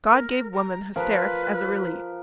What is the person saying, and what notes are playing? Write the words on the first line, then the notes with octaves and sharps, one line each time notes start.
God gave woman hysterics as a relief.
A#4
A#5
F3 A#4 B4